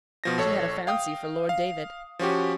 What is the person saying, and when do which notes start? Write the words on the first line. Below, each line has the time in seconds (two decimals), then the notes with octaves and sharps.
She had a fancy for Lord David.
0.24 B2 F3 A#6
0.38 A#1 A4 C#5
0.87 F5 G5 D#6
1.49 F5
2.19 F3 C#4 F#4 G4